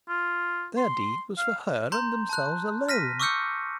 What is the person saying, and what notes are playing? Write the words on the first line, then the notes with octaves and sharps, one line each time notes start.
Their deed was for her and themselves alone.
F4
C6
F5
A#5 C6 G6
A5 F#6
F6 A#6 B6 D#7
C#6 D6 E6 F6 G6 C#7